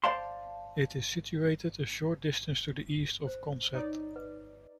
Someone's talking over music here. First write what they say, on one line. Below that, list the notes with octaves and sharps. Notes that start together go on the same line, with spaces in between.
It is situated a short distance to the east of Consett.
C5 D5 F5 A5 C6
C5
D#4 C#5 D5
B4